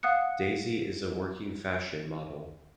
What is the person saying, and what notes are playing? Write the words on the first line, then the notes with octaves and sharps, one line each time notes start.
Daisy is a working fashion model.
F5 F#5 D#6 F#6 C#7